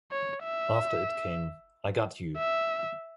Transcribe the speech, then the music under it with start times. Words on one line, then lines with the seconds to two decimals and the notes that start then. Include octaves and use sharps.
After it came "I Got You".
0.11 C#5
0.44 E5
2.37 E5